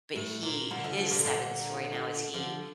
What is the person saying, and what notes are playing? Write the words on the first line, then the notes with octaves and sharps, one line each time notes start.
but he his side of the story now is he
A2
A#2
A#2 D3
D3 F3
D3 F3
A#2 D3
A#2 D3
D3 F3